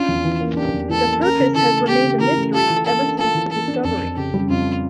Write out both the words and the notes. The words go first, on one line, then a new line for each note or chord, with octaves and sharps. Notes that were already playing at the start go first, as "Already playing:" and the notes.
The purpose has remained a mystery ever since the discovery.
Already playing: C#4 D4 F4
E2
E3
A#3
D4 G4
E2
E3 A4
A#3
C#4 A#4
C#3
E3 A4
A3
C#4 G4
C#3
E3 A#4
A3
F4 A4
E3
A#3 A4
D4
F4 A4
E3
A#3 A4
D4
F2 A4
F2
C#3 G4
G3
F2 F4